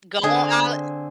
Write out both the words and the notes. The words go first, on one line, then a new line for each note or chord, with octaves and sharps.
Go on out
D3 C4 G#4 G#5